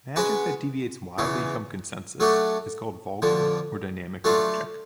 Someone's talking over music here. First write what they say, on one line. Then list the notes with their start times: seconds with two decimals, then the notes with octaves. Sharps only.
Magic that deviates wildly from consensus is called vulgar or dynamic magic.
0.16 G#3 C#4 F#4 B4
1.18 E2 C#3 E3
2.20 F#3 A3 D4 F#4
3.22 F2 D3 F3
4.24 F#3 A3 D4 F4